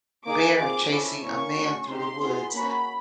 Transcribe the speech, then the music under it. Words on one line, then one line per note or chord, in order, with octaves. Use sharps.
bear chasing a man through the woods,
A#3 D#4 G#4 D6
C4 F4 G#4 D6
C#4 E4 A4
A#3 C#4 E4 C#6
A3 C#4 F#4
C4 D#4 G4 C6
B3 E4 G#4
A#3 C#4 F#4 B5